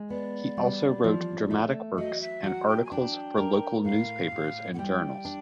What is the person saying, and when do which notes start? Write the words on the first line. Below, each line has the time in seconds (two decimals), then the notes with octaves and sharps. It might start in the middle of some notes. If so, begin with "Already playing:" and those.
He also wrote dramatic works and articles for local newspapers and journals.
Already playing: G#3
0.10 B3 D5
0.57 G3
1.04 F3
1.51 A3
1.98 F#3 D#5
2.21 E5
2.44 F#3 F#5
2.67 G5
2.85 G#5
2.92 D4 G5
3.38 A#4
3.84 A2 F5
4.32 A2
4.74 F#5
4.79 G3 G5
5.25 D4